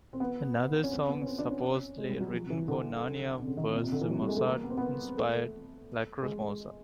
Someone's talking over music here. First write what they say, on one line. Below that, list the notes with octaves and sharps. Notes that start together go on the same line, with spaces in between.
Another song supposedly written for "Narnia" was the Mozart-inspired "Lacrymosa".
C4
B3
C#4
C4
B3
C#4
C4
D4
C#4
G#3
G3
F#3
F3
E3
D3
C3
C#3
D#3
A#2
C3
D3
E3
F#3
G3
G#3
A3
A#3
B3
C4
B3
A3
A3
G#3
G#3